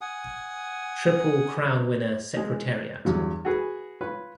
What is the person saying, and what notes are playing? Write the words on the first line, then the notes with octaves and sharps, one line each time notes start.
Triple Crown winner Secretariat.
F#5 G#5 D#6
G#3 G#4
E2 G2 F#3
F#4 G#4 B4
F4 B4 C#5